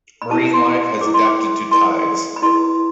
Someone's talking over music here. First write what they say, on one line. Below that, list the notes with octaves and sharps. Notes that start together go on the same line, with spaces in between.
Marine life has adapted to tides.
B5
E4 G#4 B4 A5
C6
E4 G#4 B4 D6
C6
D6
E4 G#4 B4 C6
B5
E4 G#4 B4 C6